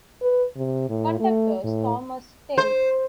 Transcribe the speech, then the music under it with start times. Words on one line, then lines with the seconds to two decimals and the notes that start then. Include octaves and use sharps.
Conductor's Thomas Tales.
0.22 B4
0.57 C3
0.89 A2
1.20 A3
1.64 A2
2.58 C5